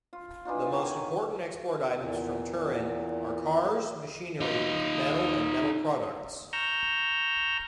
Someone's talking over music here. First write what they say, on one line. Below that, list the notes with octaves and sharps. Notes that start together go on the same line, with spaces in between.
The most important export items from Turin are cars, machinery, metal and metal products.
F4
E3 D4 D#4 F4
D#3 F#3
G#5
E2 A#2
D#4 F4
A#5 C#6 E6 F6 G6 A#6